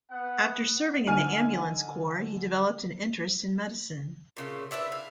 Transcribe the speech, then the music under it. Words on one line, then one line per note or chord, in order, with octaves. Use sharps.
After serving in the ambulance corps, he developed an interest in medicine.
B3 F#5
D3 D#4 G#5 F6 D#7
A#2 C#3 A3
D4 E4 B4 E5
F5